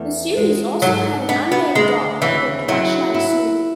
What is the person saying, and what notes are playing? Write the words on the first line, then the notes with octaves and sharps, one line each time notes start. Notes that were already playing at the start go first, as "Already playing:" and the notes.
The series also had an unnamed dog that looked much like Snoopy.
Already playing: E2 A3
G#3
G#2 F#3
B3 D4
B3
D2 G#3
C#3 E3
F#3 E4
E4